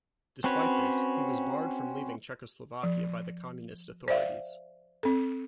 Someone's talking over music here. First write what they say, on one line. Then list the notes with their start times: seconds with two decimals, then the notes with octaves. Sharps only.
Despite this, he was barred from leaving Czechoslovakia by the Communist authorities.
0.44 C4 C#4 F#4 B4 C#5
2.83 F3
4.08 C5 D5 E5 F5
5.03 C4 A4